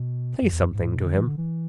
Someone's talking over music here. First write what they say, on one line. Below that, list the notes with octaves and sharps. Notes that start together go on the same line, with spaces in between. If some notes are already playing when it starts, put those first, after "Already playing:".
Say something to him.
Already playing: B2
F#2
E2
F#2
G#2
A2
B2
D3
E3
D3
E3